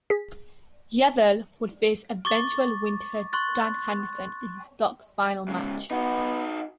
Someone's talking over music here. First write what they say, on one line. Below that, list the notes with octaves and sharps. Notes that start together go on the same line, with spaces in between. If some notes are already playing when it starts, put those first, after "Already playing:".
Yvel would face eventual winner Dan Henderson in his block's final match.
G#4 B6
C#6 D6 A6
C6 C#6 F#6 A6
G#2 C#3
B3 D#4 F#4